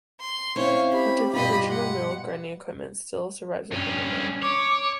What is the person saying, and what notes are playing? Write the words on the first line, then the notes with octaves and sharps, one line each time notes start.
Much of the original mill grinding equipment still survives within the mill.
C6
C4 C#4 E4 C#5 F5
G4 B5
G2 B2 F4 D#5 B5
F#5
G2 C#4
C#5 D6